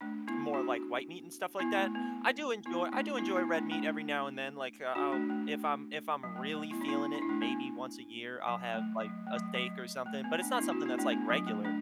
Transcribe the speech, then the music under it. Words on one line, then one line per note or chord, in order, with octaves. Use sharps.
more, like, white meat and stuff like that. I do enjoy I do enjoy red meat every now and then, like, uh, I'll if I'm if I'm really feeling it, maybe once a year, I'll have, like, a steak or something, but it's not something that's, like, regular.
A3 D4
B3 E4
D4 F#4
B3 E4
A3
B3
B3 E4
A3 D4
B3 E4
B3 E4
A3 D4
A3 D4
D4 F#4
A3 D4
A3
F#3
A3
A3
B3 E4
D4
B3 E4
D4
E4
A3 D4
B3
F#3
A3
F#3
A3
F#3
F#3
A3
B3
A3 D4
D4
B3 E4
D4 F#4
B3 E4
A3 D4
B3
F#3
A3
A3 D4